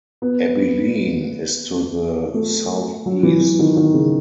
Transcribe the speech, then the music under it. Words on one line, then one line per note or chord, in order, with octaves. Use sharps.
Abilene is to the southeast.
B3
A3
F#3
E3
E3
D#3
D#3
C#3